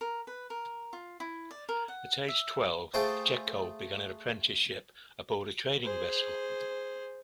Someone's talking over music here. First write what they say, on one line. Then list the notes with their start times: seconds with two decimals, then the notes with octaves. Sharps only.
At age twelve, Pacheco began an apprenticeship aboard a trading vessel.
0.01 A#4
0.27 B4
0.50 A#4
0.93 F4
1.20 E4
1.51 D5
1.69 A#4
1.88 F#5
2.28 E5
2.94 A3 F4 G#4 A4 C5 G5
5.83 G#4 C5